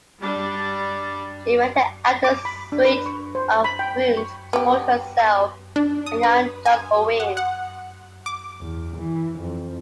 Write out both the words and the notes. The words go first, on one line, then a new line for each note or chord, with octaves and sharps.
She rented out a suite of rooms to support herself and young John Owen.
G3 D4
D6
B5
D4
B4
C#6
C5
B5
G5
C#6
B3 G4
D4
D#6
B4
G#5
F#5
F#5
D6
E2
E3
F2